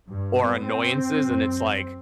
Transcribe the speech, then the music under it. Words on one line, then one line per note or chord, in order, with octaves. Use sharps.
or annoyances, and it's like,
G2
B3
C4
F#2